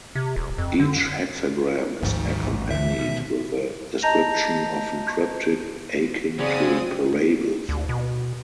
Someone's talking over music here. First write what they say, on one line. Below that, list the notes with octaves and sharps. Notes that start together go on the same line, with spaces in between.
Each hexagram is accompanied with a description, often cryptic, akin to parables.
C3
D#1
F2
D3
G#1 D2 G#2 F3
D#3 G3
A1
D2 D3 E3 E5
B2 D#3
D#5 A5 A#5 G6 A#6 F7
C#3 F#3 C4 C#4 D5 D#6
D2
B2